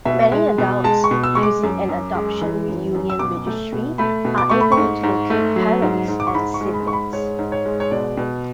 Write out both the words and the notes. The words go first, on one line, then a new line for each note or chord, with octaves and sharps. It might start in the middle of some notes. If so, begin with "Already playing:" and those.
Many adults using an adoption reunion registry are able to locate parents and siblings.
B2 E5
G#3
B2
G#3 A5
C#6
B2
E6
G#3 C#6
D6
F#2
F#2
G#3
E3
F#2
F#2
E6
B2 D6
A3
B2
A3 B5
B2
D6
A3 C#6
B5
C#6
G#2
G#2
A3
F#3
G#2
G#2
D6
C#6
G#2 B5
C#6
G#3
B5
G#2 C#6
B5
G#3 C#5
G#2
C#5
G#3
C#5
B2 D5
B2